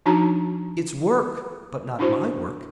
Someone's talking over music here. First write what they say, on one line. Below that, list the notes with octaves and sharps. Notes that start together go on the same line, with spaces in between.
It's work--but not my work.
F3 D4 D#4 F#4 A5 A#5
D4 E4 F#4 C5